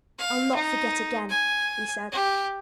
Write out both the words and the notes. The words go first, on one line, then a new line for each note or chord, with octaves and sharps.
"I'll not forget again," he said.
F5
D#4
G#5
G4